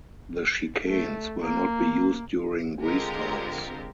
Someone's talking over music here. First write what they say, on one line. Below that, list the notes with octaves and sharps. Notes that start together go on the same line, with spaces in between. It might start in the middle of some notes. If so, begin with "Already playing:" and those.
The chicanes will not be used during restarts.
A3
A#3
D3 G#3 C4 F4 G4 A#4